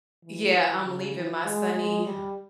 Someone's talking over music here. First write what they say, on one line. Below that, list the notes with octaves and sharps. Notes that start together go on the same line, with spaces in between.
yeah, I'm leaving my sunny
E3
C#3
E3
G#3
G#3
G3